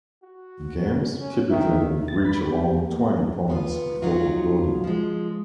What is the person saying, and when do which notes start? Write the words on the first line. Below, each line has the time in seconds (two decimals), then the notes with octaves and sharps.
Games typically would reach around twenty points before concluding.
0.23 F#4
1.20 C#4
1.50 D#3 E5
2.08 A6
2.25 B5
2.46 G4
2.86 A#3
3.48 G#2 B3 F4
4.02 F#3 D#4 F4 F#4
4.84 F3 G#3